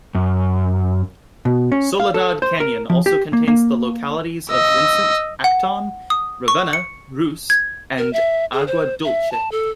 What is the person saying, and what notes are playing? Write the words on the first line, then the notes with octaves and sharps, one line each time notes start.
Soledad Canyon also contains the localities of Vincent, Acton, Ravenna, Russ, and Agua Dulce.
F#2
B2
C#4
F5
A4
C5
A#4
F3
G4
A#3
A#3
D#5 E6
F#5
D#6
C#6
C#7
G#6
A#4
E5
G#4
C5
E5
A5
A4